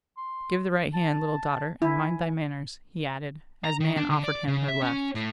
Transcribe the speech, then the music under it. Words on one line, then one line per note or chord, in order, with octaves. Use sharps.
"Give the right hand, little daughter, and mind thy manners," he added, as Nan offered him her left.
C6
A5
E4 G#5
A#5
D#3
D4
D3
D5
C#3
E5
C#4
A2